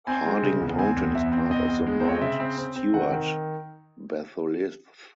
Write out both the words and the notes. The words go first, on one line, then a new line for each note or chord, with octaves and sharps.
Harding Mountain is part of the Mount Stuart batholith.
C4 G#5
G#3
C#3
E2
C4 G#5
E2
E2 E5
C4
E2 D#5
E2
G#3
C5
C4 C#5
D#5
C#3 E5
C4
C4
C4
D#3 F#5
D#3